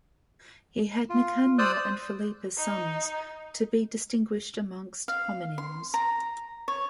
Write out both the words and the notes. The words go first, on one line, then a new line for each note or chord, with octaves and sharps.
He had Nicanor and Philippe as sons, to be distinguished amongst homonyms.
F4
C5 D5 D#6 E6 F#6
D#4
F5
C6
A#5
C#5